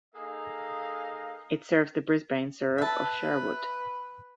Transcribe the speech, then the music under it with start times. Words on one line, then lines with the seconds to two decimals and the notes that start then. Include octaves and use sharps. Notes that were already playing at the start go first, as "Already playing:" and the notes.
It serves the Brisbane suburb of Sherwood.
0.15 A#3 D#4 G#4 A4 D#5 F5
2.78 B4 E5 A5